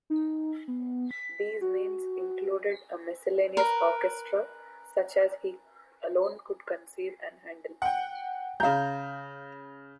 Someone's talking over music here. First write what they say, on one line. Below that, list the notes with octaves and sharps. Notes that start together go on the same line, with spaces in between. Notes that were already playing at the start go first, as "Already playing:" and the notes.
These means included a miscellaneous orchestra such as he alone could conceive and handle.
D#4
B3
B6
F#4
A#4 B4
F#5 G5
C#3 F5 A#5 G6